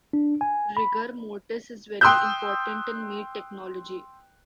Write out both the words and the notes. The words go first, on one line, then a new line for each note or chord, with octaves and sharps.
Rigor mortis is very important in meat technology.
D4
G#5
B5
G5 C6 D#6 E6 F#6 G6